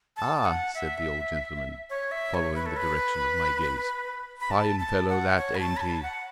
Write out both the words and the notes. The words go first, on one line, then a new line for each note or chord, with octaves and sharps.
"Ah!" said the old gentleman, following the direction of my gaze, "fine fellow that, ain't he?"
A5
F#5
E5
C#5
E5
C#5
B4
A4
B4
B5
A5
A5
F#5
C#5
B5
A5
B5
A5
F#5